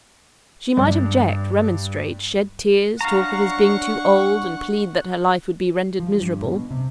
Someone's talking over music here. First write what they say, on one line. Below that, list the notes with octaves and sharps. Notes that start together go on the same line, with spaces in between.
She might object, remonstrate, shed tears, talk of his being too old, and plead that her life would be rendered miserable.
G2 D4
F#3 D4 F5 F#5 A#5 C#6
F3
G2
B2
C3